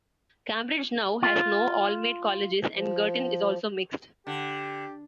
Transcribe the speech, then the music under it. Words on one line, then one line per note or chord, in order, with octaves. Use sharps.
Cambridge now has no all-male colleges and Girton is also mixed.
F4
F3
D3 G4